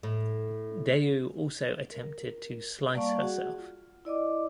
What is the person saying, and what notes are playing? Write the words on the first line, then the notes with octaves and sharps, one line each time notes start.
Dayu also attempted to slice herself.
A2
A#4
G3 A#3 D5 F5 A5 C#6
F#4 G#4 F#5
F4
E4 D5 D#5 D6